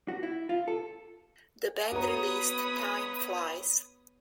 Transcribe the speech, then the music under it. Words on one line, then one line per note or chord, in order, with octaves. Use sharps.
The band released Time Flies...
F#4
E4
F4
A4
B3 F#4 C#5 A#5 B5 D#6